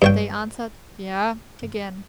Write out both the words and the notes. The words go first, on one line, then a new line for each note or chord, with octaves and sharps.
They answered "yea" again.
G2 C#5 G5